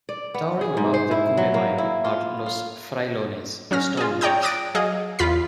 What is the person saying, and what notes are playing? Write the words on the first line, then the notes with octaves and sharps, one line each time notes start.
Towering above the Cumbe Mayo, are Los Frailones, the Stone Monks.
D5
B3
G#4
G#2
C5
E4
F#3
A#3
E4
F4
F4
F#3 C#4 F6 A#6
F4 G#4
C#5 D5 G5 A#5 D#6 G6
D6 D#6 F#6 A6 A#6 D7
F#3 G#4 D#5 F5
E2 F4 B5 B6